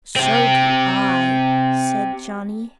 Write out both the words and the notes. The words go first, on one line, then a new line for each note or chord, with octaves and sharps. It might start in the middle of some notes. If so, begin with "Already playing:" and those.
"So do I," said Johnny.
C4 G4